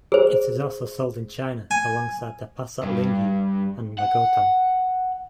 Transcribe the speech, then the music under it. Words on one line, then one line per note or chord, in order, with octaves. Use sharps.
It is also sold in China alongside the Passat Lingyu and Magotan.
G#4 C5
G#5
G2
F#5